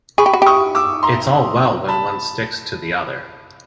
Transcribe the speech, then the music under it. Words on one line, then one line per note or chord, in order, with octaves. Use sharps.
It's all well when one sticks to the other.
G#4 B5 C#6
G4
F#4
G4 C#6 D#6
D6 E6
A#5 C6
A5 B5